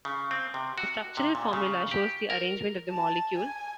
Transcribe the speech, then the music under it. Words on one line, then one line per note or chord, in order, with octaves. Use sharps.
The structural formula shows the arrangement of the molecule.
C#3
C4
C3
F#4
C3
A#2
C#3
G4
A#4
A5
G#5